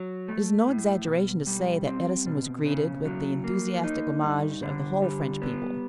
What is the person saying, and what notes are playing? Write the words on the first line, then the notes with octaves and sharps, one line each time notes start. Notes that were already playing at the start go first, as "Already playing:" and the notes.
It is no exaggeration to say that Edison was greeted with the enthusiastic homage of the whole French people.
Already playing: F#3
A3
A2
B2
G3
C4
B2
C#3
F#3
A#3
D#4
G2
D3
G3
B3